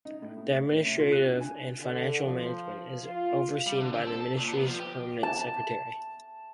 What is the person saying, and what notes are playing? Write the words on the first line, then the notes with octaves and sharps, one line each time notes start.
The administrative and financial management is overseen by the ministry's permanent secretary.
D#4
A2
A2
C#5
A2
C3
F4
F#6
D4
G#5
D3
F3
F4
G3
D3
C4
A4
A5
A#2
B3
F3
G4
A5